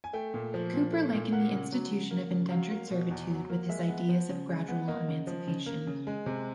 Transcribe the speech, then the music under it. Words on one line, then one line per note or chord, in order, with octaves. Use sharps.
Cooper likened the institution of indentured servitude with his ideas of gradual emancipation.
G#5
A3 G5
A#2
F3
A#2
A3
A#2
A#3 F#5
C#3
F#3
C#3
A#3
C#3
F#3 F5
A#3
B2
E2
F#3
A#3
G#3 E5
B3
F3
C#3
G#3
B3
A#3 D#5
C#3
F3
C#3
A#3
C#3
G#3
C3